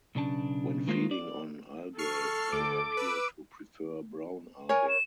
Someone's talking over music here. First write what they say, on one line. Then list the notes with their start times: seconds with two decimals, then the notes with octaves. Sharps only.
When feeding on algae they appear to prefer brown algae.
0.15 B1 C#3 D4 A5
0.87 D#3 G#3 A#3 F4 A4 C5
1.11 D5
1.98 A4 C#6 F6 C7
2.52 D2 D6
2.97 B4 E6
4.69 A#4 C#5 G#5
4.89 E7